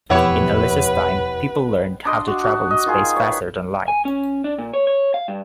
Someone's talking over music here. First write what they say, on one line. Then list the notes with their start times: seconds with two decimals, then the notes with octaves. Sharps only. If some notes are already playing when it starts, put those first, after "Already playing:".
In Alisa's time people learned how to travel in space faster than light.
0.10 E1 F2 F3 B3 E4 G4 B4 C#5
2.05 D4 D#5 C6
2.27 F#4
2.43 F#4
2.70 D#5
2.86 D#3 F4 G#4
3.16 B4 C#5
3.88 G#5
4.05 C#4
4.44 D4
4.58 A#2
4.74 C#5
4.87 C#5
5.14 F5
5.28 G2